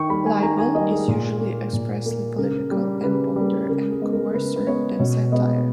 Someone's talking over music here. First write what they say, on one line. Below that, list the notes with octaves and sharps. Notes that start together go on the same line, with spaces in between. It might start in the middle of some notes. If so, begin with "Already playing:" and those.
Libel is usually expressly political, and balder and coarser than satire.
Already playing: D#3 G5 C#6
G3 A#3 B5
G#5
D#3 A#5
G#5
G3 A#3 D#5
G#4
A#2
A#3
A#2
A#3
C#3 A#4
G3 A#3
C#3 B4
G3 A#3
C#3 A#4
G#4
G#3 B3
A#4
C#3 B4
B4
G#3 B3 C#5
B2 C#5
G#3 B3 D#5